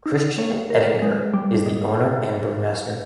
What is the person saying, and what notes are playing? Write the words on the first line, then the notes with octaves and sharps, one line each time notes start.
Christian Ettinger is the owner and brewmaster.
D#4
C#5
A#4
G#3
G3
G#2